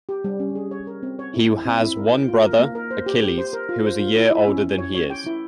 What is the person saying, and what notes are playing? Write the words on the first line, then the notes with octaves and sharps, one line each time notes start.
He has one brother, Achilles, who is a year older than he is.
G4
G3
C#4
G#4
C#5
A#4
C4
C#5
E4
E4
C4
E4
A#4
G5
F4
A#4
A#3
A#4
C5
G4
G4
C5
A#4
F4
C5
F4
E4
E4
C#4
C#4
C#5
C#5
G5
E4